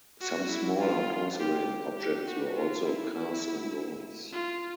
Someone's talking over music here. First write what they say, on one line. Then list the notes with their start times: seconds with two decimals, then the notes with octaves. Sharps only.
Some smaller porcelain objects were also cast in bronze.
0.21 F#4
0.50 E4
0.79 F4
1.39 G4
1.97 G4
2.27 F#4
2.56 F4
2.86 E4
3.14 E4
4.33 F4